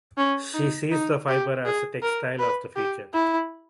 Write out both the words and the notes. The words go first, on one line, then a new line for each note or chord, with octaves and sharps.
She sees the fibre as the "textile of the future".
C#4
D#4
D#4
G4
G#4
A#4
B4
G4
E4